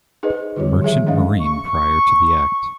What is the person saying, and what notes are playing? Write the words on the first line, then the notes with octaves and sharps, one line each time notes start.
Merchant Marine prior to the Act.
D#4 G#4 B4 C5 D#5
D3 G3 F4 G4 C#5
D#3 F3 G#4 E5
D#3 G#3 C#4 D#4 D#5 F5
C#6